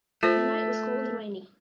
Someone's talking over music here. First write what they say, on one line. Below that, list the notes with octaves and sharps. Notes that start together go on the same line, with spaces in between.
The night was cold and rainy.
A3 F4 C5